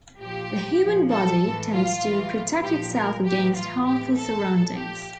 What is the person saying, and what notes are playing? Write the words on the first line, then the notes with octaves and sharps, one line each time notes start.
The human body tends to protect itself against harmful surroundings.
A#2 F3 G4
A#2 F3
A4
A2 E3
F4
A2 E3
A#2 F3 G4
A#4
A2 E3 G4
F4
A2 E3 G4
A4
A#2 F3
G4